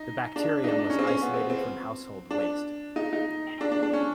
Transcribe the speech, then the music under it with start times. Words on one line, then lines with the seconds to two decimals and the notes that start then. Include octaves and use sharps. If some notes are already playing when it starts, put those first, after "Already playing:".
The bacterium was isolated from household waste.
Already playing: D#4
0.36 D4
0.64 D#4
0.68 D4
0.79 D4
0.90 C#4
0.99 C4
1.07 C#4
1.22 B3
1.34 C4
1.50 C4
2.31 D4
2.96 D#4
3.13 D#4
3.61 D4
3.72 D4
3.83 D4
3.93 C#4